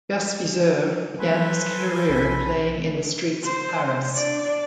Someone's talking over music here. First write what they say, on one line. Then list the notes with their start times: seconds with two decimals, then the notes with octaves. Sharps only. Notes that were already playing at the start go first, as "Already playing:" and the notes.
Gus Viseur began his career playing in the streets of Paris.
1.19 F#3 A4 B4 C5 G#5
2.09 B1 B5
3.43 C5
4.15 D4 D5